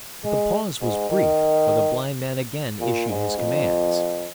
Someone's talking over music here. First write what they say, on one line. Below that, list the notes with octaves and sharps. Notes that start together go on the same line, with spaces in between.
But the pause was brief, for the blind man again issued his commands.
G#3
G#2
D#3
A#2
G#2
F2